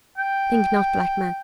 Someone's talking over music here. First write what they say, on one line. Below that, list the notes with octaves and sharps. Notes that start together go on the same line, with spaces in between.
Think not black man.
G5